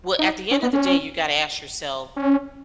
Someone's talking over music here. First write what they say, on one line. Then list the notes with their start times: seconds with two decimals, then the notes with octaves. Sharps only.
well, at the end of the day, you gotta ask yourself,
0.19 D#4
0.51 C#4
0.63 B3
0.73 C#4
2.16 C#4